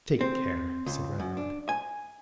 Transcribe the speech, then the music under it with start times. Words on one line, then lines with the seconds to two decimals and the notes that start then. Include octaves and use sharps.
'Take care,' said Riderhood.
0.21 C4
0.86 C#2
1.20 F#2
1.37 D4
1.69 G#5